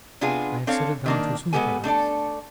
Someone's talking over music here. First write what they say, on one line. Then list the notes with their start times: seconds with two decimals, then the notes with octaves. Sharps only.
I have set it down too soon, perhaps.
0.21 C3 B3 D4 F4 G#4
0.67 C4 D4 A4 C#5 F5
1.06 D#3 A#3 D4
1.53 G#3 B3 G4 A4 G#5
1.84 A3 D4 A4 D5